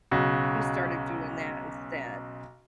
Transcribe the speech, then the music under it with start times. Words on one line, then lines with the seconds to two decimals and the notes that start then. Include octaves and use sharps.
he started doing that instead.
0.11 B1 C#3 F#4